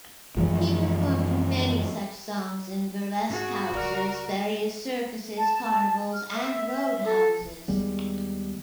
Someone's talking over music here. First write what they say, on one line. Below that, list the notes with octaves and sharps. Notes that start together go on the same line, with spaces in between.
He performed many such songs in burlesque houses, various circuses, carnivals, and roadhouses.
F#2 E3 F3 G#3
G#2 F#4 G#4
C#2 A#4 D5 F6
A5
F6
E5
E5
A4
D#2 G3 G#3 B3